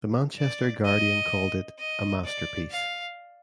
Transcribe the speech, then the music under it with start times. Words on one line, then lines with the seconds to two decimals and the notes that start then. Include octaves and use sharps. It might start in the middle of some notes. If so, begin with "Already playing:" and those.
The Manchester Guardian called it "a masterpiece".
0.38 D5
0.85 D#5
1.78 D#5
2.24 D5
2.71 F5